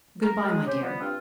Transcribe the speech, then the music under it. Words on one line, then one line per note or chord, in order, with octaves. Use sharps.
"Good-bye, my dear."
A#4
G#3
C#4 G4 C5
F3 G3 B3
G2 C4 D4 F4